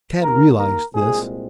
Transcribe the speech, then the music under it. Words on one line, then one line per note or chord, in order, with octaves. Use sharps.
Tad realized this.
D#2 D#3 A#3 A#4
A#4
C2 A#2 G#3 C4 G#4